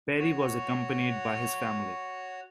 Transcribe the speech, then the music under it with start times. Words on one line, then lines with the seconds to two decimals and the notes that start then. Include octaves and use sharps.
Perry was accompanied by his family.
0.19 F#4 C#5